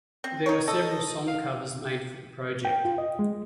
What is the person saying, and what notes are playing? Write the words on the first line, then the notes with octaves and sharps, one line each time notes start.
There were several song covers made for the project.
C4
D#4 C#5
A4 D#5
F5
G5
F4
D#5
G#3